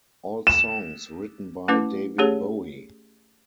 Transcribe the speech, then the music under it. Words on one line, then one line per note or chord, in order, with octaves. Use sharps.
All songs written by David Bowie.
E7
A3 C#4 E4 B4 D6
A3 C#4 G4 G#4 C#5